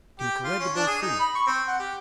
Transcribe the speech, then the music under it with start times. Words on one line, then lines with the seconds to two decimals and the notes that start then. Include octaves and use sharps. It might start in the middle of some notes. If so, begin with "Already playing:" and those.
Incredible thing!
0.19 G4
0.44 F4
0.59 C#4
0.74 D4
0.87 G#4
1.01 D#4
1.19 B5
1.35 C#6
1.47 C4
1.68 F#5
1.79 G4